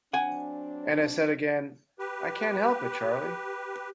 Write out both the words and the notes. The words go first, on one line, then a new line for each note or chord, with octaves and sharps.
And I said again, "I can't help it, Charley."
F#3 C4 D4 F#5 G#5
G4 B4